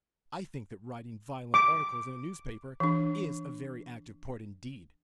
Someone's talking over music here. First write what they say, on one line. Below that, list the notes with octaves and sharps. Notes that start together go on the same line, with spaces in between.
I think that writing violent articles in a newspaper is a very active part indeed.
D6
E3 D4